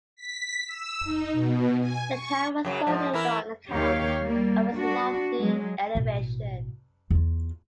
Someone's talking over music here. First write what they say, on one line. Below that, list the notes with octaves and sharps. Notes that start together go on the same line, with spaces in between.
The town was so named on account of its lofty elevation.
B6
E6
D#4
B2
G#5
C#6
F#2 C#3 F#3
G#2 F3
E3 E4 A#4
D#2 D#3 G4 C#5 F5
G3 A#3
D4 F#4
F#3 G#3
A1 B2
E2 F4